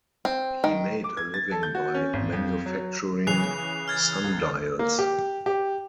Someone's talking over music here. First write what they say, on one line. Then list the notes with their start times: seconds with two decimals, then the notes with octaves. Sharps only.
He made a living by manufacturing sundials.
0.25 C4
0.64 D#3
1.04 D6
1.17 G#6
1.34 A6
1.51 A4
1.63 G6
1.75 F#4
1.94 C#4
2.13 G#1
2.33 F2
2.66 F#3
3.27 C#3 E3 F#6 C7 F7
3.88 F6 G#6 A6
4.24 C#2
4.79 A#3
4.99 G4
5.46 G4